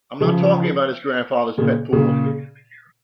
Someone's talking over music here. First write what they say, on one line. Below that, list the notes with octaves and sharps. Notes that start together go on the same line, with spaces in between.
I'm not talking about his grandfather's pet poodle.
C#3 F3
A#2 C#3
A#2 C#3